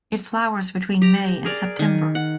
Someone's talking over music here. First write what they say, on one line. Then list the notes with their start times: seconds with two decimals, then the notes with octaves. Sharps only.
It flowers between May and September.
1.02 G4 A#5
1.45 G#4 A#4 D5
1.79 D#3 G#5
2.15 F#5